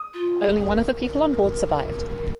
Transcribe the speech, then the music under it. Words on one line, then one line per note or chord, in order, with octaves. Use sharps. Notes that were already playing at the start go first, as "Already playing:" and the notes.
Only one of the people on board survived.
Already playing: D#6
F4
G#4
G#4
A#4